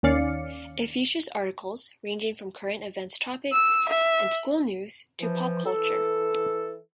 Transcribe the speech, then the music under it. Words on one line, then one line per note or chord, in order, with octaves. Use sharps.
It features articles ranging from current events topics and school news to pop culture.
D#2 D#3 C#4 D5 F5 C#7
E6
E5
E3 F3
E3 A4